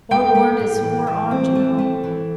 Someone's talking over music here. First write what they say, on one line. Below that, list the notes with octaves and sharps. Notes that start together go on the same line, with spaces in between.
Forewarned is forearmed, you know.
A3 G5
A3
A2
E3
E3
C4
A3
A3
E3